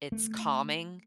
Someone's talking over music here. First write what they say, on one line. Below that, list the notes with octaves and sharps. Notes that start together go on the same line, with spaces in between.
it's calming,
A3